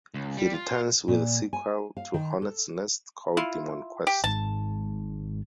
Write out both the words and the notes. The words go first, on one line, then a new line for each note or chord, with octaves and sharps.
He returns with a sequel to "Hornets' Nest" called "Demon Quest".
C#2
G3
F4
A#2
G#5
F5
D#3
A4
E4 F4
G4
G#1 G#2 A5